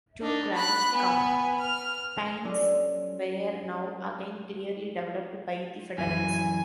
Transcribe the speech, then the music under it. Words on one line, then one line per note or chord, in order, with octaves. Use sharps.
Two grand campaigns were now again clearly developed by the Federals.
D4 D#4
B5 F#6
B3 G#5
F6
F#3 C#4 F4 G4 A4 D5
F#2 E3 G#5